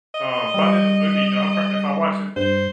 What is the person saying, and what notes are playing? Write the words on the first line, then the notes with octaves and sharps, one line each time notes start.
um, by the end of the movie, you know, I pr if I watch it
D#5
G3
G2 C5